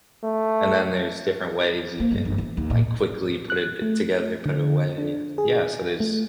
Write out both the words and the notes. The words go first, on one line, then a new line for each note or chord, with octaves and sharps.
and then there's different ways you can, like, quickly put it t together put it away, yes. Yeah, so there's
A3
A#3
G1
G1
E3
D#2
A#2
F#6
A3
D3
D4
G#4
A3